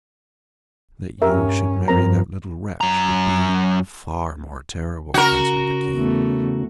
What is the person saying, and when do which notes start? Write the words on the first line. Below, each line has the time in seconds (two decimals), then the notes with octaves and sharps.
"That you should marry that little wretch would be far more terrible," answered the King.
1.22 G2 C#4 G4 A#4 E5
1.88 G2 F3 C4 A#4 A#5
2.81 F#2 A#5
5.14 C#3 F#4 A#4
5.94 E2 A3